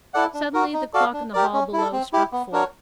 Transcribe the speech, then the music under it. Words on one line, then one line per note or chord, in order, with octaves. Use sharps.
Suddenly the clock in the hall below struck four.
E4 A4 D5 F#5
D4
F#4 A#4
D#4
F#4 A4 D5 F5
D4
G4 A#4 D5
C#4
E4 A4
C4
E4 G4
B3
D4 F#4 A#4 C#5